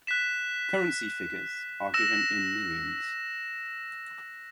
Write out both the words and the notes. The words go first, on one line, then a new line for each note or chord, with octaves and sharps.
Currency figures are given in millions.
F#6 B6 E7
E6 A#6 E7